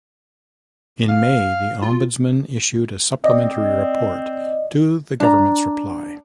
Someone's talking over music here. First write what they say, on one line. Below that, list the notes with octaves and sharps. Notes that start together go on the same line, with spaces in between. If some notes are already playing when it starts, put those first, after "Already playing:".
In May, the Ombudsman issued a supplementary report to the government's reply.
F5
F4
C4 D5 D#5
D4 A#5